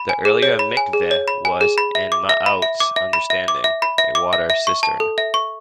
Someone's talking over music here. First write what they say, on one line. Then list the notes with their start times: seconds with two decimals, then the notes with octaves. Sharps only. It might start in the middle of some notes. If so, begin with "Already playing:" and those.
The earlier "miqveh" was, in Ma'oz' understanding, a water cistern.
Already playing: B5
0.09 G#5
0.25 G#4
0.43 C#5
0.59 B5
0.77 G#5
0.93 G#4
1.11 C#5
1.28 B5
1.45 G#5
1.61 G#4
1.78 B5
1.95 E5
2.12 D6
2.29 E5
2.46 B5
2.62 E5
2.80 D6
2.96 E5
3.13 B5
3.30 E5
3.48 D6
3.64 E5
3.82 B5
3.98 E5
4.15 D6
4.33 E5
4.50 E5
4.67 C#6
4.83 A5
5.00 A4
5.18 E5
5.34 C#6